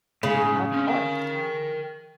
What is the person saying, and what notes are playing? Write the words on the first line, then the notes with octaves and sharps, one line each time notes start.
Of course.
A2 C#3 G#3
C4 C#4
A#4 G5